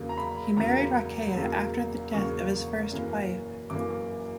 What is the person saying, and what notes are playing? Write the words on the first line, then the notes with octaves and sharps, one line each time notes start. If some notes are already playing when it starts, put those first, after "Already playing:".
He married Rokeya after the death of his first wife.
Already playing: E2 C#3 F#3 A#3
A#5
B5
E2 C#3 F#3 A#3 A#5
E2 C#3 F#3 A#3
E2 C#3 F#3 A#3 C#6
F#2 E3 A#3
F#2 E3 A#3 D6
D6